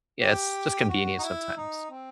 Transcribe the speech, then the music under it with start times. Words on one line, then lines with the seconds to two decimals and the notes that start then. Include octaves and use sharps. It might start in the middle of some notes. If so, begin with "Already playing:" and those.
yeah, it's just convenient sometimes.
0.21 G4
0.89 F#4
1.19 D#4
1.23 E4
1.57 D#4
1.91 C4